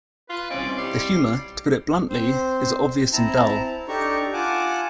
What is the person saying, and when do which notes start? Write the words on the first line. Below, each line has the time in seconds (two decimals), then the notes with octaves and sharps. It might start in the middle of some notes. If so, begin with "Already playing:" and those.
The humor, to put it bluntly, is obvious and dull...
0.30 F4 B4
0.50 C2 C4 C#4 D5 D#5
0.78 G3 C6
2.09 C4 C5
3.13 C4 E4 A5 A#5
3.88 D4 D#4 G4 A4 A#5 C#6
4.33 F4 F#5 G#5 A5 D6